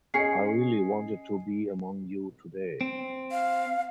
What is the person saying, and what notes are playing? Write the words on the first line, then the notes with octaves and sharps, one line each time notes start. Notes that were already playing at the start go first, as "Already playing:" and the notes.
I really wanted to be among you today.
C#4 G#4 D#5 G#5 C7 C#7
C4
F5